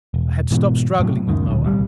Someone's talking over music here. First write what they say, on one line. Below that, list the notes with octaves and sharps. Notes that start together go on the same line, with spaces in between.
I had stopped struggling with Moa.
E1
G#2 B2 E3
A2 C3 E3 F#3
C#2 F#2 D#3
D#1 D2
D#1 C2 B2 G3